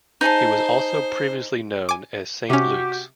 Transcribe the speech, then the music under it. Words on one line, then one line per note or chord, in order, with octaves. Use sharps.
It was also previously known as Saint Luke's.
D#4 G#4 C5 A5
G#5 D6
C3 C#4 F#4 G4